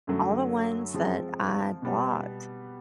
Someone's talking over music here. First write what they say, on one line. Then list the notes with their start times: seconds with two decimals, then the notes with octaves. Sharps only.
all the ones that I blocked
0.07 F#2 D3 F#3 A3
0.94 F3 G#3 C4 F4
1.82 B2 G3 B3